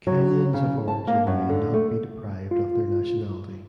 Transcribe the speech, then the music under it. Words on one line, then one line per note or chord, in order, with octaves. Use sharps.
Kenyans of origin may not be deprived of their nationality.
F#3
C#3
A5
A#3
F#2
D3
A3
F4